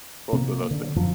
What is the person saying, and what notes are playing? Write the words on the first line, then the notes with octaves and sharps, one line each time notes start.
Both of those things.
C3 A#3
D3
F#2 F3 F#3